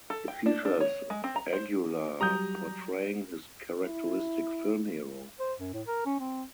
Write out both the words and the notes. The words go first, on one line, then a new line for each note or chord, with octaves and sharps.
It features Aguilar portraying his characteristic film hero.
A4
G5
D4
D4
C#5
G#3
C4
A#5
C5
F#3 G3 G4 A#5 D#6 G6
E4
C5
F#2
A2
A#4
C#4
C4